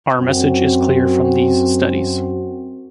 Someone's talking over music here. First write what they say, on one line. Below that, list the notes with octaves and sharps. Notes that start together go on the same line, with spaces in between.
One message is clear from these studies.
F#2 C4 F#4